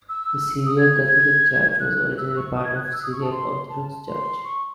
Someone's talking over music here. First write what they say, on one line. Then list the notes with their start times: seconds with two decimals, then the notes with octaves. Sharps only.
The Syriac Catholic Church was originally part of the Syriac Orthodox Church.
0.09 E6
0.66 D#6
0.78 G#6
0.92 G#6
1.04 G#6
1.80 F#6
2.18 E6
2.36 C#6
2.56 D#6
2.64 G#6
2.75 F#6
2.83 G#6
2.93 E6
3.03 D#6
3.13 C#6
3.21 A5
3.31 C6
3.69 A5
3.88 A5
4.07 C6
4.45 C#6